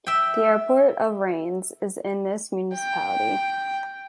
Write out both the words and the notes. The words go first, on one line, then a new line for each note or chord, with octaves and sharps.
The airport of Rennes is in this municipality.
E5 G5
G5